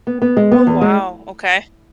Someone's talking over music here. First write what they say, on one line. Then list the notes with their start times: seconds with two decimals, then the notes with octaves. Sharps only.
Oh, wow. Okay.
0.07 B3
0.22 B3
0.37 G#3
0.52 B3
0.67 E2
0.81 G#3